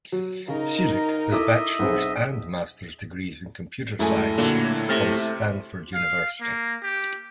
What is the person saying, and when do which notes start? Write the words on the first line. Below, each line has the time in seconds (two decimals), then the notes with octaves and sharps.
Celik has bachelor's and master's degrees in computer science from Stanford University.
0.12 F#3
0.48 C#3 D#4 A#4
1.32 E4 A4 D#5 E5 D6
1.79 B1 C4 G#4
4.00 F#2 G#3 A3 E4 A4 G#5
4.38 A#2 D3 F#3 A#3
4.89 C3 A3 F6 A6 A#6
5.94 F5
6.41 A#3
6.83 G4